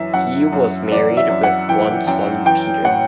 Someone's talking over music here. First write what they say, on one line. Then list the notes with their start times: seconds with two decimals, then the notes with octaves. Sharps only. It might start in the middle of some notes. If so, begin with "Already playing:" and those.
He was married with one son Peter.
Already playing: F#2 E3 E5
0.14 F#2 F#5
0.52 F#2
0.92 E3 D5
1.17 E5
1.29 F#2
1.43 F#5
1.69 E3 G5
2.07 F#2 G5
2.45 E3 G5
2.84 A2 F#5